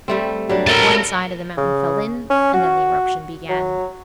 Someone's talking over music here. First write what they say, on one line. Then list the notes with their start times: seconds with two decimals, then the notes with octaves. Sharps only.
One side of the mountain fell in, and then the eruption began.
0.08 G3 A3 C4
0.49 F#3 G3 D4
0.67 A3 A#4 E5 A5
1.58 C#3
2.30 C#4
2.53 F#4
3.49 F#3